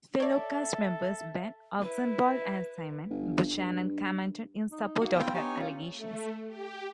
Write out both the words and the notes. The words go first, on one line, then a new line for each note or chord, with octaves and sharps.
Fellow cast members Ben Oxenbould and Simone Buchanan commented in support of her allegations.
A4 C#5 D5 E5
E4 B4
G1
G2
D#4
A#3 F#4
B2 G3 C4 F4 G5
B3 D4 D#4 G4 C#5 G#5
C#4 E4 F4
A3
G4